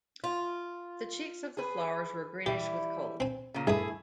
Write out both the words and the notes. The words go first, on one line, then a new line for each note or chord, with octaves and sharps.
The cheeks of the flowers were greenish with cold.
F4
G#4 B4
E3 G3 E4 G4
C4 G#5
A#2 C#3
G2 A3 E4 G#4 D#6